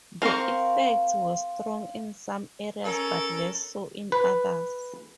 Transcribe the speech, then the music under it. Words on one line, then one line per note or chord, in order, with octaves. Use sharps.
The effects were strong in some areas but less so in others.
C4 A#4 F5 C#6
C#4 A4 A#4
B4